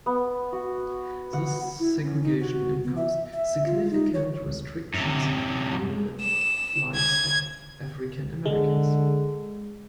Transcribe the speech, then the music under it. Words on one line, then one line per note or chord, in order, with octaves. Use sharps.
This segregation imposed significant restrictions on the lives of African-Americans.
B3
F#4
F#5
E4
C#4
D#4
F#4
B3
E5
E5
F4
D#4
C#5
F#2 C3
E7
G#6
D3 G#3